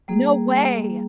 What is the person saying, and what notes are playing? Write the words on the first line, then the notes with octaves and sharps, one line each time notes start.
No way!
G3 A#3 G#4